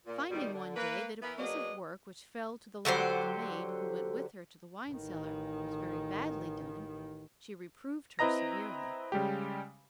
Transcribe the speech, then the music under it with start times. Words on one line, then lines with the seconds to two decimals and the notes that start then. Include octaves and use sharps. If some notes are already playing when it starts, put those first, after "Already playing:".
Finding one day that a piece of work which fell to the lot of the maid who went with her to the wine-cellar was very badly done, she reproved her severely.
0.06 A#2
0.30 G#2 B2 D#3 G3
0.53 D3
0.76 A#3 B4
1.22 E3 B3 A#4 B4 E5
1.38 F#3 A#3 B3 D4 G#4 D#5
2.85 D3 F#3 G4 C5
4.89 A1 D#3
8.19 C4 E4 B4 D#5 A#5 A#6
9.12 C#3 G3 G#3 G4